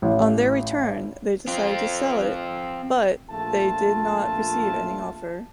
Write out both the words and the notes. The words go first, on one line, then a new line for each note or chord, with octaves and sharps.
On their return, they decided to sell it, bu they did not receive any offer.
A1
C4 F4
A#1 A3 F4 A5